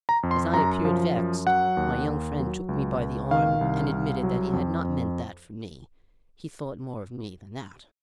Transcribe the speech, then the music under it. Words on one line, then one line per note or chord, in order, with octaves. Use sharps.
As I appeared vexed, my young friend took me by the arm and admitted that he had not meant that for me; he thought more of me than that.
A#5
F2
C6
F#2 A#5
F3
F#2
F#3 F#5
D#2
D#2
F#3
C#2
C#2
D#3 F5
C2
C2
F#3
F2
F2